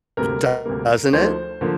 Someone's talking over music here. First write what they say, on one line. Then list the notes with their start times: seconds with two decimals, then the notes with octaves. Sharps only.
Doesn't it?
0.17 D2 C3 G3 A#3 A#4
0.65 D2 C3 G3 A#3
1.13 D2 D3 F3 A#3 D#4 C5
1.61 D3 F3 A#3